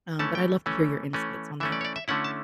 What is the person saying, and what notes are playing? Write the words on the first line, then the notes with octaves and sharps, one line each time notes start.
um, but I'd love to hear your insights on that.
E3 A3 C#4 A5
G5
E3 A3 C#4
E3 A3 C#4
E3 A3 C#4 E5
D5
C#5
D5
E5
D3 A3 C#4 E4 F#5
A5